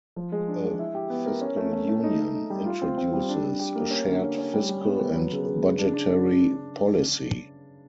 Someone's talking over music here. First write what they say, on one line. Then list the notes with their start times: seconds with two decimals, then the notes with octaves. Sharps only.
A "fiscal union" introduces a shared fiscal and budgetary policy.
0.16 F3
0.32 G#3
0.48 D4
0.63 G#3
0.79 E4
0.95 G4
1.10 B3
1.26 A#4
1.41 C#4
1.57 A3
1.73 A3
1.88 A3
2.04 D#4
2.20 D#4
2.35 D#4
2.50 G3
2.66 F4
2.82 C4
2.98 C4
3.13 G3
3.29 D4
3.44 D4
3.60 G4
3.76 A#3
3.91 C#4
4.07 D3
4.22 D3
4.38 C#4
4.54 G3
4.69 G3
4.85 B3
5.00 B3
5.16 F#3
5.32 C#3
5.47 C#3
5.63 C#3
5.78 D4
5.94 D4